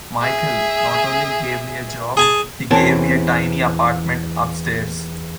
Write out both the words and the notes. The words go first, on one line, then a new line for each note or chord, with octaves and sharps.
Michael not only gave me a job, he gave me a tiny apartment upstairs.
G#4 E5
G#4 G#5 A5
E2 E3 C4 C#4 A#4 A5